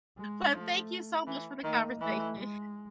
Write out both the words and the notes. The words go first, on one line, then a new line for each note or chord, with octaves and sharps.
Well, thank you so much for the conversation.
G#3
F3 A3
E3
D#3 A#3
E3 A3
G#3